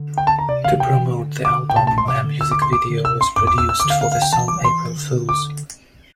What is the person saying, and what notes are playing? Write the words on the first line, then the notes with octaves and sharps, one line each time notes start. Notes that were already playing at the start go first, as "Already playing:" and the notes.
To promote the album, a music video was produced for the song "April Fools".
Already playing: D3
G5
A5
A#5
C3 D5
D3 F5
C3 G5
E3
D3
D6
G5
A#2
C3 A5
A5
A#2
C6
A#2
C3 D6
D3
E6
D6
C6
D6
D3
C3 E6
C6
G2 D6
E2 D6
E2 E6
E6
D6
D3
F5
F5
F5
G5
E3 A5
D6
C6
D3
D6